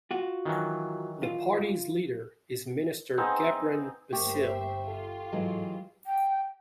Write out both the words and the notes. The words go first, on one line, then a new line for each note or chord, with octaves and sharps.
The party's leader is Minister Gebran Bassil.
F4 F#4
D#3 E3 F#3
F4
B3 C4 D#4 G#4
G1 A3 A#3 G4 A#4 C5 E5 C#6
F4 A4
G#2 E3 F#3 G#3 A4
G5